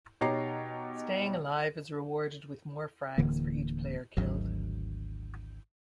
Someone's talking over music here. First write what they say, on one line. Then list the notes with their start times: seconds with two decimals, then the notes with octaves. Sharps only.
Staying alive is rewarded with more frags for each player killed.
0.21 B2 D#4 G4 C#5 A#5 C7
3.18 D1 D3 E3 A#3
4.17 G#1 D2 F#3